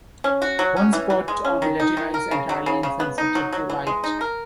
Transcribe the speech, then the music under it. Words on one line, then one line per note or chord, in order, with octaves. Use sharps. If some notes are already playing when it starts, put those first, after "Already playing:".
One spot on the retina is entirely insensitive to light.
C#4
F#4
F#3
C#4
E3
E3
G#3
C#4
D#3
D#4
D#3
A#4
C#3
F#3
C#3
C#3
B3
D#4
F#3
F#3
E3
G#3
D#4
A#4